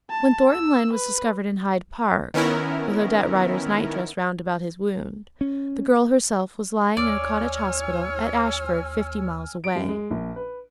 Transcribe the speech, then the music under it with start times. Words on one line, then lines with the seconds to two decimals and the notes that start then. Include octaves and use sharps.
When Thornton Lyne was discovered in Hyde Park, with Odette Rider's night-dress round about his wound, the girl herself was lying in a cottage hospital at Ashford fifty miles away.
0.10 A5
0.50 E6
0.93 B4
2.34 D#3 B3 C#4 E4 A#4
5.41 C#4
6.97 D#2 C#5 D5 G#5 E6 F6
9.64 D7
9.76 F#2
9.89 G#3
10.11 A#1
10.36 B4